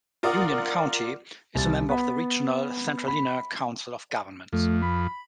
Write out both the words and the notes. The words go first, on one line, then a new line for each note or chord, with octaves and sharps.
Union County is a member of the regional Centralina Council of Governments.
F4 A#4 D5 F#5 D#6
C2 A6
B3 B5
B5
F2 A3
B5